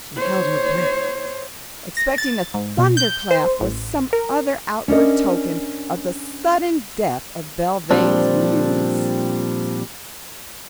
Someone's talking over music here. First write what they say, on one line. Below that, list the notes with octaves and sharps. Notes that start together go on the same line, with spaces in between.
She held her breath, expecting a thunderclap or some other outward token of the sudden death of Belvane's muse.
C5 C#5
A#6
A6
G#2
B2
G6
C5
A1
A#4
C#4 D4 A#4 D#5
A#2 F3 G3 C4 D4